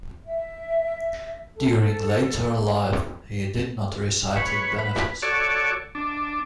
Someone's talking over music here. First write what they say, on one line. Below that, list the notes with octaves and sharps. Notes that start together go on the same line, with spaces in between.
During later life he did not reside in his benefice.
E5
A4
B4 C#5
B4
F#4 A4 C#5 D5
D4